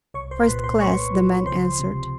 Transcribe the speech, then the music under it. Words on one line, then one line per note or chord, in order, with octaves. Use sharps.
"First-class," the man answered.
C2 C#5 C#6
C5 C6
C6
A#2 B4 B5
C5 C6
A3 C#5 C#6
F3
C#2 C5 C6
C3